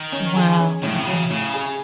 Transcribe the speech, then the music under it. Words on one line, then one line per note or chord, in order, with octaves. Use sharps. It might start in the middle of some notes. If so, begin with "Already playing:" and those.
Wow, okay.
Already playing: D#3
C#4
G#4
C#4
A2 D#3
C#3
C3
C#3 F#3
A2 C#3
G#4